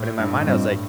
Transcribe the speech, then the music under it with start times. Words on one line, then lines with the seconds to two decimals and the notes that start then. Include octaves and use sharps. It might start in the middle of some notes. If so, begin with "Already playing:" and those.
but in my mind I was like,
Already playing: A2
0.19 G2
0.45 G2 G3 C4 F4 C5 D#5